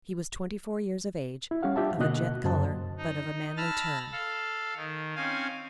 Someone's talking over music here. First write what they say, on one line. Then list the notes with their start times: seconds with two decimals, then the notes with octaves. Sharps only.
He was twenty-four years of age, of a jet color, but of a manly turn.
1.51 E4
1.63 G3 C#4 G4 F5 F#5
1.76 D4 F4 G4 E5 A5
1.98 B2 D3 A#3 F#4 D#5 F#6
2.44 F#2 C#3 F#3 C5 A5
2.98 D#4
3.57 A5 B5 E6 F6 A6 A#6
4.12 A4 F5
4.76 D#3
5.15 C4 C#4 F5 G#5